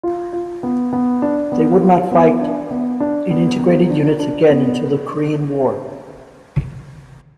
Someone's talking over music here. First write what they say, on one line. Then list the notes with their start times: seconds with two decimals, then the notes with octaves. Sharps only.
They would not fight in integrated units again until the Korean War.
0.03 F4
0.33 F4
0.63 B3
0.93 B3
1.22 D4
1.52 B3
1.82 F4
2.11 B3
2.41 D4
2.71 B3
3.00 D4
3.31 B3
3.60 B3
3.90 D4
4.19 D4
4.49 B3